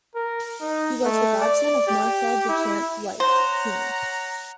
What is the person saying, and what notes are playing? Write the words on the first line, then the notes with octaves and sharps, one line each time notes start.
He was the godson of Marcel Duchamp's wife, Teeny.
A#4
D#4
A3
D5
G4
E4
C5 C#5 F#5 A#5